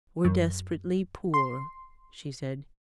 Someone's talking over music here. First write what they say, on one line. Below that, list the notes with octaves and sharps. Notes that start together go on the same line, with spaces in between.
"Were desperately poor," she said.
F#2
C6